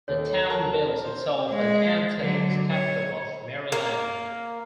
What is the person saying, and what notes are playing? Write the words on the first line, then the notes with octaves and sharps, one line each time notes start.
The town bills itself as the "Antiques capital of Maryland".
D#2 A4 C#5
A#4 A5 A#5
C5
G#3
D3 F#3
C#5
A#3